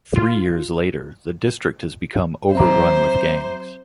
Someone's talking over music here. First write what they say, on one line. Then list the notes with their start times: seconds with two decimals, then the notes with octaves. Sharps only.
Three years later, the district has become overrun with gangs.
0.16 F4
2.55 F#3 C4 C5 E5 A#5 D6